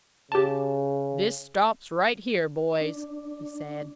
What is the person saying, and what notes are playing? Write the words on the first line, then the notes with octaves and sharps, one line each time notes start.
"This stops right here, boys," he said.
C#3 G4 A5
D4